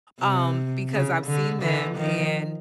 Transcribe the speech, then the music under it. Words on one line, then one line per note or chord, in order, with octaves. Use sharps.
um, because I've seen them, and
C3
C#3
D3
D3 E3
D#3 F3